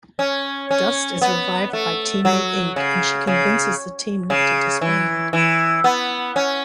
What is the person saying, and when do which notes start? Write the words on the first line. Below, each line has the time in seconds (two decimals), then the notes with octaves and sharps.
Dust is revived by teammate Ink and she convinces the team not to disband.
0.19 C#4
0.71 C#4
1.22 B3
1.73 A3
2.25 F#3
2.76 C#3
3.27 C#3
4.30 C#3
4.81 E3
5.33 E3
5.84 B3
6.36 C#4